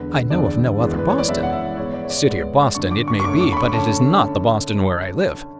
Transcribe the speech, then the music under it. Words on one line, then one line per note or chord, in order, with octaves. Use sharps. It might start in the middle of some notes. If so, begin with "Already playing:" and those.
I know of no other Boston." "City of Boston it may be, but it is not the Boston where I live.
Already playing: E2 D3 G#3 B4
E2 D3 G#3 D5
F#2 E3 G#3 B3
B4
C#5
D5
F#2 E3 G#3 B3 E5
F#5
E5
G#2 G#3 B3 C#5
D5
C#5
D5
G#2 G#3 B3
F#2 D3 A3 C#4 C#6
D6
C#6
C#6
F#2 D3 A3 C#4 D6
D6
B5
C#6
D3 A3 C#4 A5